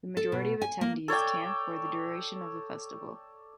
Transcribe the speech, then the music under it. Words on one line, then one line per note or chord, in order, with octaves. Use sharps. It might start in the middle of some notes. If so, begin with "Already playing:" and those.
The majority of attendees camp for the duration of the festival.
A4
B2
G#5
A#3
A4 C#5 D5 G5